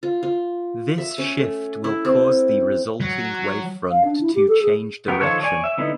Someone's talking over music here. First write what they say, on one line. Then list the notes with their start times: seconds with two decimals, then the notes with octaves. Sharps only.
This shift will cause the resulting wavefront to change direction.
0.03 F4
0.23 F4
0.98 E5
1.18 C#4
1.37 A3
1.84 E4
2.05 C4
3.00 F#3
3.89 F5
4.04 D4
4.21 E4
4.35 G4
4.48 A4
4.62 G#4
5.08 B3 G4 A#4
5.21 D#3 F3 F4 A4 C#5
5.42 C#5 D5 G#5
5.64 E5
5.78 D3 B3 D#4 E4